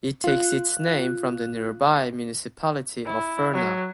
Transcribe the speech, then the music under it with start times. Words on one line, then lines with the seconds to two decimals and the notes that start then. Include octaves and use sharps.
It takes its name from the nearby municipality of Furna.
0.24 F4 F#6
3.06 E4
3.54 F#3